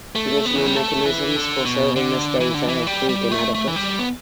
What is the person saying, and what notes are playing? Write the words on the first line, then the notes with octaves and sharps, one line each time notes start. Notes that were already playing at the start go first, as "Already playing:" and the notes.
Traditional mechanisms for serving this data have proved inadequate.
A3
B3
E3
G3
A3
E3
D3
B2
D3
E3
D3
E3
G3
G3
A3
A3
E3
G3
B3